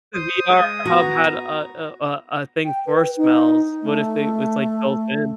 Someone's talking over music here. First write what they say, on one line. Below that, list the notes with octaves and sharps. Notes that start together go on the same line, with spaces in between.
if the VR hub had, uh, uh, uh, a thing for smells? What if it was, like, built in?
C5 D#6
G#3
B3 F#4 A#5
G5
B4
D#4
A3